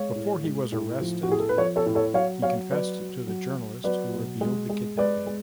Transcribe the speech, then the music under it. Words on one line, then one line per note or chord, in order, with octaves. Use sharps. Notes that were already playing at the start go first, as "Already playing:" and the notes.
Before he was arrested, he confessed to the journalist who revealed the kidnapping.
Already playing: G#3 C#5 F5
A2
G#3
A2
F3
F#4
A2 G#4
A4
B4
F3 A4 C#5
A4 C#5
A2
A4 C#5
F#3 C#5 F5
F#3 C#5 F5
F#3 B4 D5
F#3
F#3
F#3
F#3 B4 D5
B2
G#3
G#3
G#3 B4 D5
G#3